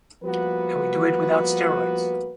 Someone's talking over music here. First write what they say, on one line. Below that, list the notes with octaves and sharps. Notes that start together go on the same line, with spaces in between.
And we do it without steroids!
F3 G3 A#3 B3 F#4 B4